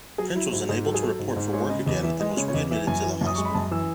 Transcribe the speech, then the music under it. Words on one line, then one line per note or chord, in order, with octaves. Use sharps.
Prince was unable to report for work again and was re-admitted to the hospital.
F#3 G#4
F#3 E4
G#2 E4
G#2 G#4
F#3 A4
G#4
F#3 A4
G#2
G#2
G#3 C#5
C#3 D#5
E2 D#5
E3 E5
G#3 D#5
C#3 C#5
C#5
E2 D#5
E3 E5
F#2 G#5
E3
F#2
D#6
G#3 C#6
B5
F#2 A5
E3 E6